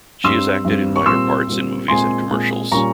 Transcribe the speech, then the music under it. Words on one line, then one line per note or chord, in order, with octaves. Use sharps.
She has acted in minor parts in movies and commercials.
G2 G3 C4 C6 E6
G2 G3 C4
C#6
A#2 G3 C4 C6 E6
A#2 G3 C4
A#2 G#3 C4 G#5 C6
A#2 G#3 C4
A#2 G3 C#4 A#5 C#6